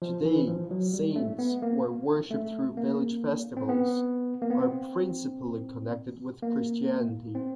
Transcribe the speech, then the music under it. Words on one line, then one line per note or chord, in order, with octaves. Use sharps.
Today, saints, who are worshipped through village festivals, are principally connected with Christianity.
F3
E3
F3
F#3
G3
A3
B3
A#3
A3
A#3
C4
B3
A#3
B3
C4
A#3
C4